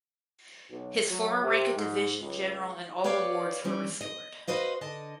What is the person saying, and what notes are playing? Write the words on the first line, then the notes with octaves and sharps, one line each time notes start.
His former rank of division general and all rewards were restored.
B1
F#3
C3
G#2
C#2
G4 B4 C#5 D5 F5 F#5
E3 G3 C#4
D#5
F#4 B4 C5 D#5 F5
D3 D#5 A5